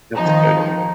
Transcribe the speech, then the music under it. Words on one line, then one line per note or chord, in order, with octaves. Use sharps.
That's good.
D#3 F3 D#4